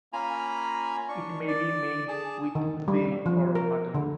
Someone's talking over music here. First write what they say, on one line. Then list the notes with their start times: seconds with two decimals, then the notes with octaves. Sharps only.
It may be made with veal or mutton.
0.13 A#3 C#4 F4 G#5 A#5 B5
1.09 D4 C#6
1.48 D5
2.08 G#4 A5
2.55 D#3
2.88 G3
3.26 F3
3.55 A#4
3.94 D3